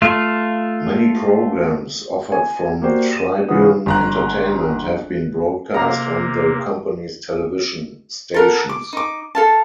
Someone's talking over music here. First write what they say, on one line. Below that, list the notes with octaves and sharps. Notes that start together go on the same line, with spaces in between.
Many programs offered from Tribune Entertainment have been broadcast on the company's television stations.
A3 F4
G#5
A#3 F#4 G4 C5 D5 G5
D#7 E7
C#3 E3 F4 B4 F#5 D#6
G1 A#5 F#6
C3 A#3 F5 A#5
A4 A#4 F#5
D6
D#4 D6
A4 F5 A5